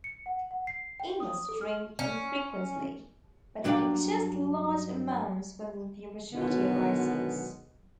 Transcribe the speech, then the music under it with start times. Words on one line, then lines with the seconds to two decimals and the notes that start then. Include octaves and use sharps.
Emus drink infrequently, but ingest large amounts when the opportunity arises.
0.04 C#7
0.26 F#5
0.51 F#5
0.67 C7
1.00 G5
1.20 D#6
1.49 A4
1.61 F6
1.99 C#4
3.64 G2 F#3 D4 D5 F5 G5
6.33 B2 D3 D#3 F#3 G#3 B3